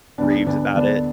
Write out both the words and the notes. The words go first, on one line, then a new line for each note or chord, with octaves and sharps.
raves about it?
D2 D3 B3 D4
D2 D3 B3 D4
D2 D3 B3 D4